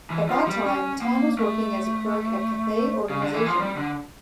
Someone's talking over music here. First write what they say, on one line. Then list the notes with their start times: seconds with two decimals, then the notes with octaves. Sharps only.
At that time, Tan was working as a clerk at Cathay Organisation.
0.10 E3
0.29 F3
0.47 G3
0.65 C#4
1.02 A#3
1.39 A3
3.10 C#3
3.22 D3
3.34 E3
3.46 F3
3.58 G3
3.76 D3